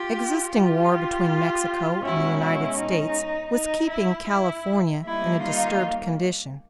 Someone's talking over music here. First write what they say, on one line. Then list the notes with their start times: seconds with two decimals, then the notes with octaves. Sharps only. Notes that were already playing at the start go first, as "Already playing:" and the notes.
Existing war between Mexico and the United States was keeping California in a disturbed condition.
Already playing: F4 G4
0.53 F4 G4
2.03 B2 G#3 C#4 E4 F#4
2.42 E4
2.79 D#4
3.53 D#4
3.91 E4
4.29 E4
5.03 D#3 G3 A#3 D#4 E4
5.41 D#4 F4